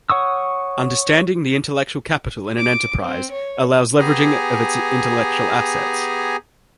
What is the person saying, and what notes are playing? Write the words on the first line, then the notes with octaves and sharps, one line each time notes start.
Understanding the intellectual capital in an enterprise allows leveraging of its intellectual assets.
C#5 F#5 C#6 D#6 E6
D6
C4
C#5
B3 G4 G#4 G#5 A#5